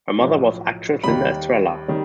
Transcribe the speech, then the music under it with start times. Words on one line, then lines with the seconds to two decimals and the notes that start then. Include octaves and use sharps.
Her mother was actress Linda Estrella.
0.19 B1 A2 F3
1.04 D#2 D#3 G3 B5
1.88 D#3 G3